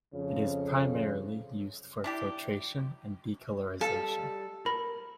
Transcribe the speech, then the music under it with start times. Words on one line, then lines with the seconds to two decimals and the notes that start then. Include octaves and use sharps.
It is primarily used for filtration and decolorization.
0.14 F2 C#3
2.04 D4 E4 G4
3.81 G3 A4 D#5 F5
4.66 A#4 B5